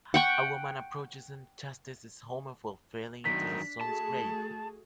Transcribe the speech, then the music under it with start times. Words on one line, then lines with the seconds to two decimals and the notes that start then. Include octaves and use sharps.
A woman approaches and chastises Homer for falling into her son's grave.
0.14 F#5 G5 C#6
3.25 F#2 D#3 D4 B6
3.81 A3 F#4 G#4 A5